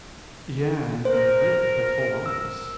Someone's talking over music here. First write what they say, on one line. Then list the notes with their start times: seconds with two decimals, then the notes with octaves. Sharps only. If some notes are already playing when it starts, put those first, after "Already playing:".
Yeah, and and live their full lives.
1.05 A#4 C5
2.26 E6